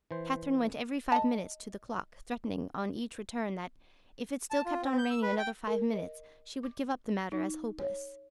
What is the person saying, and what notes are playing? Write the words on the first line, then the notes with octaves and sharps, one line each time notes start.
Catherine went every five minutes to the clock, threatening on each return that, if it still kept on raining another five minutes, she would give up the matter as hopeless.
E3 C5
D#5 A5
A5
F4
C4
G6
E6
B4
G5
A#4
D#5
D6
D#4
C#5